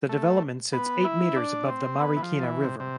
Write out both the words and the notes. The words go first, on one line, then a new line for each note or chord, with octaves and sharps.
The development sits eight meters above the Marikina River.
A3
B3
E4
D4
C4
B3
E3
F3
E3
C3
C3